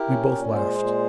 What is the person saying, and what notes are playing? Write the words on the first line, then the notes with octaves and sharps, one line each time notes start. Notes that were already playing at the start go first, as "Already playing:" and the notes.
We both laughed.
Already playing: E4 G4 A#4
C#4
A#2
G#3 G#4 C5
A#2